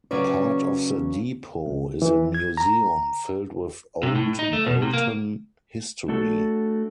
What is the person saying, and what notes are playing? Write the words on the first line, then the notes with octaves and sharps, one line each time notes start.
Part of the depot is a museum filled with old Belton history.
C#3 F#3 C#4 B4 D5
C#2
E3
G#6
A#5
C3
A2
D#4
A3
B2
C3
A#3
A3 D4 F#4 A4